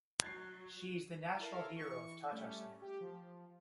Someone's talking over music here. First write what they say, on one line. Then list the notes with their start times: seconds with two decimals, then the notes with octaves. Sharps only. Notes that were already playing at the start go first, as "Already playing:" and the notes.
She is the national hero of Tatarstan.
0.22 F#3 F#6 G#6 A6 C7
1.39 E4 A4 A#4 F5
1.75 E3 C#6
2.31 G3 A3 C#4
2.82 G4
3.01 F3